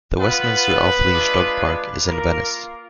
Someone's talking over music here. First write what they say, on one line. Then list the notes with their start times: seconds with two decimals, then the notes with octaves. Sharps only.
The Westminster Off-Leash Dog Park is in Venice.
0.19 B3 F4 B4
1.12 G#3 D4 F4
2.06 A#3 F4 A#4